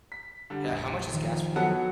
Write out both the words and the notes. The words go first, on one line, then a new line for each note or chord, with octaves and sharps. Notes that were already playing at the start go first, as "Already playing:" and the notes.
Ho how much is gas for you?
B6
D3 G3
F1 A#1
D#3 F3
F#3 B3 A4 F#5 C#7